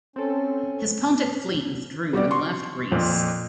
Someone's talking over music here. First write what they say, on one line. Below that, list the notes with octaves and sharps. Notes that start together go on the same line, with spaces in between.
His Pontic fleet withdrew and left Greece.
C4 C#4 A4
G3 F#4 G4 D5
C6 C#6
F2 A#2